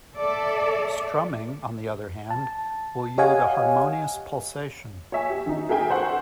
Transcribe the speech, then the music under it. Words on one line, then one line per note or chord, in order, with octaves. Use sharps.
Strumming, on the other hand, will yield a harmonious pulsation.
A4 D5 E5
A5
G4 C#5 D#5 F5 F#5 G#5
C#5 E5 G#5
G4
D#3 D#4
G#4 A#4 E5 G5 G#5
A4 C5 F#5 C#6